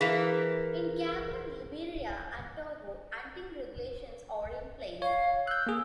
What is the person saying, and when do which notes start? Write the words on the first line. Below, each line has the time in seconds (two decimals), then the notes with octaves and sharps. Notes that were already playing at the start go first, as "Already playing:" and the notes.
In Gabon, Liberia and Togo, hunting regulations are in place.
0.01 E3 A#3 G#4 B6
5.02 C#5 F5
5.47 E6 F#6 G6
5.67 A#3 G#4